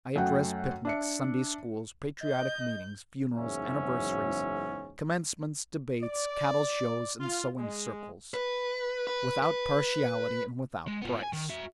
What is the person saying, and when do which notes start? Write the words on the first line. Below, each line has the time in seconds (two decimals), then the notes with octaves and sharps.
I addressed picnics, Sunday-schools, patriotic meetings, funerals, anniversaries, commencements, debates, cattle-shows, and sewing-circles without partiality and without price.
0.16 F#2 A3 F#4 F#5 G5
0.85 D4 E5 C#7
2.22 D#5 G6
3.35 F#1 E2 G#2 F#3 C#4 E5
6.03 D5
7.20 F4
7.57 G#3
8.34 B4
9.07 B4
9.42 B4
10.87 G#3
11.02 B3 F4
11.19 D5 G#5
11.33 D#3
11.50 F#4 E5